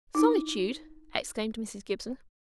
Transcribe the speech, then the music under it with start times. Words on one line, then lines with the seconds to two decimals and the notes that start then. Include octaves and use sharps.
"Solitude!" exclaimed Mrs. Gibson.
0.15 D#4 E4